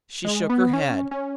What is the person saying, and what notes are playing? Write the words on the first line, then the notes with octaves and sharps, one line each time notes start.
She shook her head.
G#3
B3
C#4
C#4